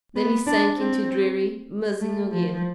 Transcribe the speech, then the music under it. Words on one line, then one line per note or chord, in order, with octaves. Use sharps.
Then he sank into dreary musing again.
B3
D4
C4
A3
F3